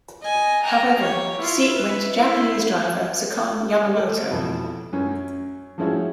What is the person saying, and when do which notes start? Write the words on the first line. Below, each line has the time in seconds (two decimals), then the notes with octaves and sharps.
However, the seat went to Japanese driver Sakon Yamamoto.
0.21 D#5 G#5
0.63 G5 A#5
0.96 G4 C#5
1.38 E4 F4
1.75 B4 E5
2.18 E4 C5
3.97 A3
4.31 F2 B2 E3
4.93 F#2 C#4
5.78 F3 G#3 C#4 E4 F#4